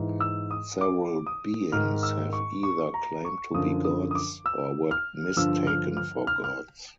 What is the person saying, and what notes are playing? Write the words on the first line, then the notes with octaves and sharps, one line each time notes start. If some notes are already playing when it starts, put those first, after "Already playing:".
Several beings have either claimed to be gods, or were mistaken for gods.
Already playing: G#2 E3
E6
D#6
D6
D#6
G#2 D#3 F6
E6
C#6
C#6
A#5
C#6
F#2 D3 F3 D#6
D#6
D#6
D6
E6
F6
G2 D3 F3 E6
F6
F6
F6
F6